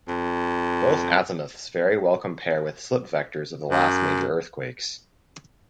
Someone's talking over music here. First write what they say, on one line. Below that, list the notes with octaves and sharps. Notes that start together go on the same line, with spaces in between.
Both azimuths very well compare with slip vectors of the last major earthquakes.
F2
F#2